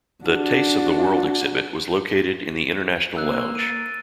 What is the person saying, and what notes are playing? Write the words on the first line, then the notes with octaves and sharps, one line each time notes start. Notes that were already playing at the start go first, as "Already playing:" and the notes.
The 'Tastes of the World' exhibit was located in the International Lounge.
D4 F#4
A#3 E6 F#6
A6 D7 D#7